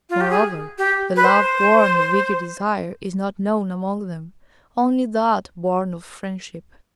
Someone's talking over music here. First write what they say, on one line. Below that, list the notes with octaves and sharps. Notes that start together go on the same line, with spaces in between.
Moreover, the love born of eager desire is not known among them; only that born of friendship.
F4
G4
G#4
G4
B4
C5